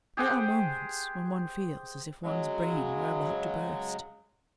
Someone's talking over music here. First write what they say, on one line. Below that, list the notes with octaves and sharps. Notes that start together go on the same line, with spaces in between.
There are moments when one feels as if one's brain were about to burst.
G4 G#4 C5 F#5
C#3 F#3 G#3